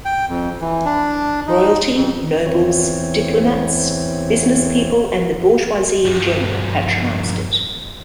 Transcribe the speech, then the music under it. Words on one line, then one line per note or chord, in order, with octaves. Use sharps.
Royalty, nobles, diplomats, business people and the bourgeoisie in general patronized it.
G5
F2
E3
D4
D#4
F2
E2 E3 C4 C#5
G2 F3